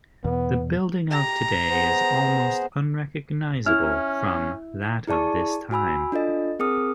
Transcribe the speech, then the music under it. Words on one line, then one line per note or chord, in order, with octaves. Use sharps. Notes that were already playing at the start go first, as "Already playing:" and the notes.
The building of today is almost unrecognisable from that of this time.
E2 B2 B3
G4 A#5
B3 G#4 C5
C#4 E4 F6
E4 G#4 D5 A5 C#6
F#4 G#5 B5 E6
D4 F4 A4 D#5
C4 G#4 A#4 D#6 F6